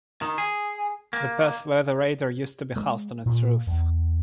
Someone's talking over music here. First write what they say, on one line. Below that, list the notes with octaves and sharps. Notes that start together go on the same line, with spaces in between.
The Perth weather radar used to be housed on its roof.
D#3
G#4
A#3
G#3
A#2
E2